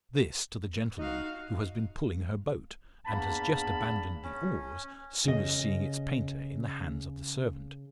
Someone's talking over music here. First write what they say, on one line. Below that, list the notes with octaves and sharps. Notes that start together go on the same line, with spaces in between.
This to the gentleman who has been pulling her boat, and has just abandoned the oars soon as seeing its painter in the hands of the servant.
D#4 F#4 F5
E2 G2 A#3 A5 B5
C#4
C#3 D#5